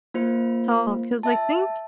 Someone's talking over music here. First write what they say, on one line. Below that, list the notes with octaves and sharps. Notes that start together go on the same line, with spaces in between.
talk “'cause I think
A#3 F4 C5
E5 A5